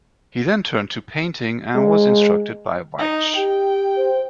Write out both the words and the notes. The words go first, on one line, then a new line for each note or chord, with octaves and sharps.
He then turned to painting, and was instructed by Weitsch.
G#3
D#4
G4 G5
C5